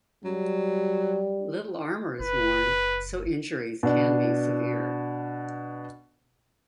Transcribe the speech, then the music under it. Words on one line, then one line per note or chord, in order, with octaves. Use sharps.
Little armor is worn, so injuries can be severe.
F#3 G3
F#1 B4
B2 D4